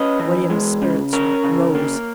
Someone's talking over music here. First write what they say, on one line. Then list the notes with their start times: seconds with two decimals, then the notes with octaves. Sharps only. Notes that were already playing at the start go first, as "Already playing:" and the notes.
William's spirits rose.
Already playing: C#4 B4 D#5
0.20 E3
0.50 G#3
0.82 C#3
1.13 C#4 A#4 C#5
1.44 C#3
1.75 A#3